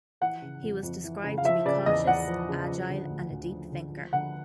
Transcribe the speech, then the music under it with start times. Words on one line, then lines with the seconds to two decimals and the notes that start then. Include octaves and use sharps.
He was described to be cautious, agile, and a deep thinker.
0.21 E3 F#5
0.42 C#3
0.62 F2
0.83 F2
1.04 E3
1.24 C#3
1.38 F5
1.45 F3 E5
1.66 C#3 D5
1.86 E2 D#5
2.07 E2 F#5
2.27 F3
2.49 C#3
2.69 F3
2.89 D3
3.10 D2
3.31 D2
3.52 F3
3.72 D3
3.92 F3
4.13 D3 F#5